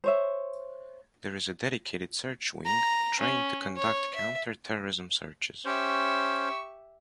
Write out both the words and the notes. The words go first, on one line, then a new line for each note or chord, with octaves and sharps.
There is a dedicated search wing, trained to conduct counter-terrorism searches.
C5 C#5 E5
A#5
C#4
C#5
E5
C#4 G4 C5 E5 C#6